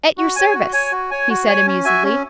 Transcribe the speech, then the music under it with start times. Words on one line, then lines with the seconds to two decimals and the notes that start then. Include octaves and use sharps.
"At your service," he said amusedly.
0.18 F#4
0.36 C#5 G#5
0.54 F#4
0.73 C#5 G#5
0.92 F#4
1.11 C#5 G#5
1.29 F#4
1.48 C#5 G#5
1.66 C#4
1.85 F#4 E5 G#5
2.04 C#4